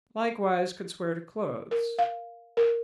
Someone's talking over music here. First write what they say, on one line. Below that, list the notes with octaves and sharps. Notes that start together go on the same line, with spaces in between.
Likewise could swear to clothes.
A#4
F5
A#4